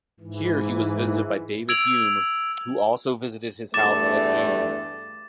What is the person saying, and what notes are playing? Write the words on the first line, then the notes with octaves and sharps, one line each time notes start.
Here he was visited by David Hume who also visited his house at Doune.
G#2 E3
E6 G#6 D7 F7 F#7
E2 G2 A3 D6 A6 E7